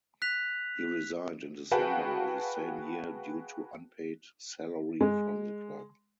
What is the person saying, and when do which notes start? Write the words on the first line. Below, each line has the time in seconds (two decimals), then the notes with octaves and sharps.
He resigned in December the same year due to unpaid salary from the club.
0.22 F#6 B6 F7
1.71 F#4 G#4 B4 F5 G5 A5
5.01 G#3